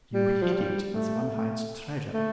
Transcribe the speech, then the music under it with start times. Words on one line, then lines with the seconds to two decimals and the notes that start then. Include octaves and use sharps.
You hid it as one hides treasure.
0.14 G3
0.42 F3
0.53 G3
0.92 A3
1.33 A3
2.13 A3